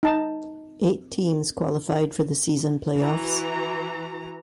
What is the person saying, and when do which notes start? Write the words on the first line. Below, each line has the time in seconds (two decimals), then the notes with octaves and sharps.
Eight teams qualified for the season playoffs.
0.03 D#4 A5
2.97 E3 F#4 A#5